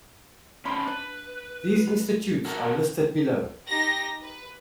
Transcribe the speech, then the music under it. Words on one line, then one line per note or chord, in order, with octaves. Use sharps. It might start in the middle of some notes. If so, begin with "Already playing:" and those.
These institutes are listed below.
D3 C#4 D4 C5 B5 C6
D4 B4
B3
F#4 A4 A#4
D#4 G4 A#6
B4